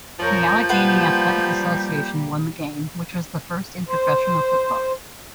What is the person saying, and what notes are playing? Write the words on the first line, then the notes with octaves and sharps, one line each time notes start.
The Allegheny Athletic Association won the game, which was the first in professional football.
F2 F3 A#4 C#5 G6
G3 A#3 F4 G4 B4 F#5
C5